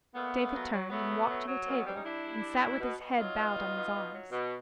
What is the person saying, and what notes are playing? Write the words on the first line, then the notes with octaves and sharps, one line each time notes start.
David turned and walked to the table and sat with his head bowed on his arms.
A#2 A3 B3
A#2
F#3
F#3
F#3 A3 B3
F#3
F#3
F#3
B2 A#3 C4
B3 C#4
G3 C4 D4
C#4 D#4
G3 D4 E4
G3
G3
B2
B2
B2
F#3 D#4 F4
B2
B2
B2
B2
F#3
B2